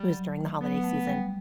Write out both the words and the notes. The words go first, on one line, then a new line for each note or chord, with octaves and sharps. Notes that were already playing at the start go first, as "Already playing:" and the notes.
it was during the holiday season,
Already playing: G3
F#3
A3
F#3 B3
A3
G3